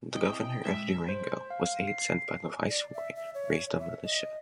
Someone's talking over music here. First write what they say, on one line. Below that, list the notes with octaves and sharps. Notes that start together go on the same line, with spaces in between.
The governor of Durango, with aid sent by the viceroy, raised a militia.
C4 E4 D#5 G5
A#2 G#3 E5 G5
C5
F5
C7
D5
E5
E5
C#5
E5
D#5